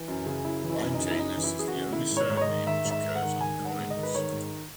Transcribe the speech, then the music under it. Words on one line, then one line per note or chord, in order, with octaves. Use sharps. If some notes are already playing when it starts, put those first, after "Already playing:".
"Limetanus" is the only surname which occurs on coins.
Already playing: E3
F#2
C#3
F#2 E4
E3
E4
F#2
D#4
C#3
E4
F#2 D#4
E3
E4
F#2 G#4
F#4
C#3
D#3 E4
G#2
C#5
G#2
C#5
D#5
D#3
D#3 E5
G#2
E5
G#2
F#5
D#3
D#3 G#5
G#2
F#5
G#2
D#5
D#3
B4
D#3 C#5
G#2